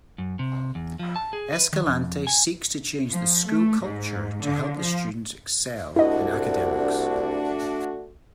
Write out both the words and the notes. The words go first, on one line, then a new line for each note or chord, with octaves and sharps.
Escalante seeks to change the school culture to help the students excel in academics.
F#2
C3
E2
F3
A5
G#4
B4
D#3
F2
G#5
F3
A3
G#2
D3
F3
C2 A3 D4 E4 F#4 D#5